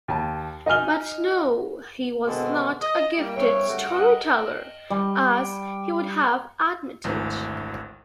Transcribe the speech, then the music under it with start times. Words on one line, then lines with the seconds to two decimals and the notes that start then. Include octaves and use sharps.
But, no, he was not a gifted storyteller, as he would have admitted.
0.08 D#2 A5
0.66 D#4 D#5 G#5 F6 G7
2.27 B2 D3 D#3 G#3 C4 A4
2.82 D#5
3.17 G3 A#3
3.36 E2 G2 C3 C#5
3.68 C#3 G3 A3 F#4
3.89 G2 D#5 F#5
4.90 G3
7.04 G#1 D2 E3